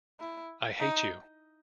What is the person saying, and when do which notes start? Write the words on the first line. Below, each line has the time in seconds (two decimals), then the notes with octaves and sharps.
I hate you!
0.20 E4
0.80 D#4